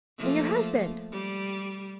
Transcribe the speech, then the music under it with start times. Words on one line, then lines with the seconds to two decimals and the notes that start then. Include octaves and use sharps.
And your husband?
0.18 F3 A3 A#3
1.12 G3